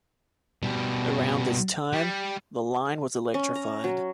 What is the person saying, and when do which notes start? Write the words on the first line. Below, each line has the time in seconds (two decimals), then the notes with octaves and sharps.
Around this time, the line was electrified.
0.63 B2 G3
1.93 G3
3.34 C#4
3.55 A#5
3.84 F#3